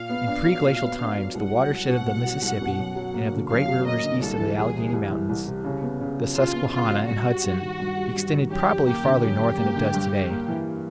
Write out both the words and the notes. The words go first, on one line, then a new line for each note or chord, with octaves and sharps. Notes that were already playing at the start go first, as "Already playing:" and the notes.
In preglacial times the watershed of the Mississippi and of the great rivers east of the Alleghany Mountains, the Susquehanna and Hudson, extended probably farther north than it does to-day.
Already playing: A#2 F5
B3
D4
F#3
A#2
B3
D4
F#3
C2 F#5
F#3
C2
B2
C2
F#3
C2
B2
F#2
F#3
A#3
D3
F#2 F5
F#3
A#3 D#5
D3
C2 A4
E3
C2 G#4
C3
C2
E3
C2
C3
C#3
B3
C#3
F#3
C#3 F4
B3
C#3 F4
F#3
G2 F#4
G3
G2
D#3
G2
G3
G2
D#3
F#2 G4
G3
A#3 G4
D3
F#2 G4
G3
A#3
D3
G2
G3
A#3
E3